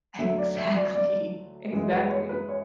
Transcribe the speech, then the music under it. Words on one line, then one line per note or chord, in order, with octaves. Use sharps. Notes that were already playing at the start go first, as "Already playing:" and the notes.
Exactly. Exactly.
D2 D3 F#3 A3 E5
D5
E5
D5
D5
F#2 E3 G#3
B4
C#5
B4
C#5